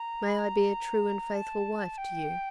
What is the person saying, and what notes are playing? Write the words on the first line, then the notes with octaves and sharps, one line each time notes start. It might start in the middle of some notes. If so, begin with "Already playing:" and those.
"May I be a true and faithful wife to you."
Already playing: A#5
B5
A#5
A5
G5